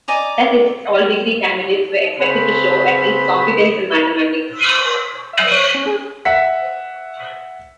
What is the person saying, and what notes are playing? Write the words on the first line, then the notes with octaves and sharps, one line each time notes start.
That is, all degree candidates were expected to show at least competence in mathematics.
D5 D#5 G#5 A#5
C#3 C4 B4 C5 B5
E5
C#5
C#4
G#4
E5 F#5 B6